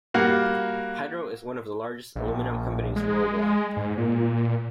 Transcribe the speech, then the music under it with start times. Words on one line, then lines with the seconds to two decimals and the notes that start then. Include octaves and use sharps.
Hydro is one of the largest aluminium companies worldwide.
0.14 G3 A#3 F#4 F5
2.16 A#1
2.96 G#3
3.77 G#2
3.97 A#2